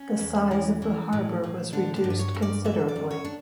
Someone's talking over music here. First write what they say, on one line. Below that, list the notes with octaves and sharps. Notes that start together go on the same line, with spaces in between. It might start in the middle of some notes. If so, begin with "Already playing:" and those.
The size of the harbour was reduced considerably.
Already playing: C#4
E2
E3
E3
A2
A2
D3 D4
D4
G2
B4
C#5
G2
D5
E3 E5
D5
F#2
C#5
D4